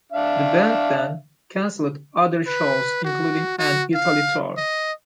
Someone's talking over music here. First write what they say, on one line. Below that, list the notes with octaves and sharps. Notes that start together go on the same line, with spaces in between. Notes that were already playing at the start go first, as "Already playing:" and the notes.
The band then cancelled other shows including an Italy tour.
D4 E5 F5
B4
F#4
F#4
F5
D#5